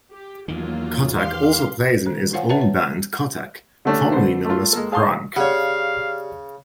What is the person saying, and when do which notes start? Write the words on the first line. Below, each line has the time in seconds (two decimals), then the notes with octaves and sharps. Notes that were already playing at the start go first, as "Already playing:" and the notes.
Kottak also plays in his own band Kottak, formerly known as KrunK.
0.12 G4
0.48 E2 D#3 F#3 A#3 F4
1.20 G4 F5 C6
2.06 D#3 C5
2.33 F4 C5 C#5 F5 F#5 G#5
2.49 B4 C#5 E5 F#5 A5 A#5
2.61 C#5
3.85 D3 G3 A3 C#4 D4 A4
4.12 D3 A3 B3 C5
4.45 A3 F4
4.73 G#3 A#3 A4
4.92 G#4 F5 A5 C6 D#6
5.36 C#3 G4 C#5 D5 F5 F#5